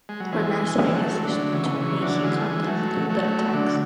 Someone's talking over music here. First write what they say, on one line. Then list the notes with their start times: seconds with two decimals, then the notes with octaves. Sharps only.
When asked by his attorney, he condemned the attacks.
0.09 G#3
0.20 F#3
0.32 E3 G#3
0.95 F#3 A3
1.24 D3 F#3
1.52 C#3 E3
1.80 C#3 E3
2.02 D3 F#3
2.23 E3 G#3
2.39 A3
2.45 E3 G#3
2.67 F#3 A3
3.09 F#3 A3
3.53 D3 F#3